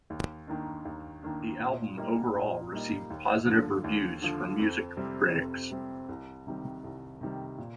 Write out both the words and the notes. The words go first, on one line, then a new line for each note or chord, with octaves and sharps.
The album overall received positives reviews from music critics.
D#2
D#3 A#3 D4
D#2
D#3 A#3 D4
A#2
G3 A#3 D#4
A#2
G3 A#3 D#4
D#2
D3 F3
D#2
D3 F3
F2
C3 G3 C4
F2
C3 G3 C4
C2
C3 D#3 G3
C2
C3 D#3 G3
A#2